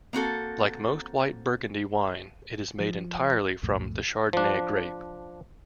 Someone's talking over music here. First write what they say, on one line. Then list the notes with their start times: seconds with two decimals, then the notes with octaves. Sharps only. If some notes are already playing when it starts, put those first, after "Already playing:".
Like most white Burgundy wine it is made entirely from the Chardonnay grape.
0.13 A#3 C4 F#4 A4
2.80 F3
3.63 B1 F2 A2
4.33 F3 D4